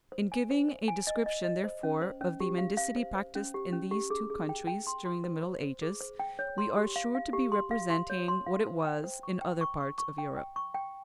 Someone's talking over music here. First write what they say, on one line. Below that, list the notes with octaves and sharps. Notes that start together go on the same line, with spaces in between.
In giving a description, therefore, of the mendicity practised in these two countries during the Middle Ages, we are sure to be representing what it was in other parts of Europe.
C5
G#5
C5
C5
G#5
D#5
D#5
D#5
C5
C#4
C5
C#4
G4
F5
F5
C5
C5
C#4
G4
C#4
G4
G#4
G#4
G5
G5
C6
C6
C5
C5
C5
G#4
C5
G5
C#5
C6
G4
F5
F5
G4
C6
F5
C6
C#5
C6
F5
C5
G5
C5
C#6
G5
C#6
C#6
C#6
G5
G5
C#6
G5